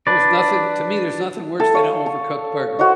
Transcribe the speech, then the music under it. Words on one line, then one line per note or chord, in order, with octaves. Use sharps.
There's nothing to me there's nothing worse than a overcooked burger.
D4 B4 D5
A4 E5 A5
C#5 F5
A5
F#4 C5 C#5 D#5